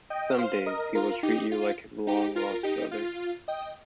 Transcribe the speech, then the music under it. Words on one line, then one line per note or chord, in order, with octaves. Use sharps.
Some days he will treat you like his long-lost brother.
D#5 G5
C5 F5
A#4 D#5
F4 A#4
D#4 G4
F4
D#4 G4
F4 A#4
D#4 G4
F4
D#5 G5